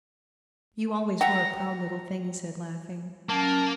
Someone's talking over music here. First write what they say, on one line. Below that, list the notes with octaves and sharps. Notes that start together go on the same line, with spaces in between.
"You always were a proud little thing," he said laughing.
E5 F#5 G5 A#5
F#3 A#3 C#4 A5